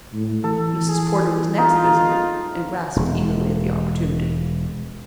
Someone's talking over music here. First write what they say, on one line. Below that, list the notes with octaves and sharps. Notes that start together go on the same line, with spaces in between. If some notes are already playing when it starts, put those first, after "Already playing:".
Mrs. Porter was next visited and grasped eagerly at the opportunity.
A2
E3 A4
G#4
D#4 F4
E1 G#3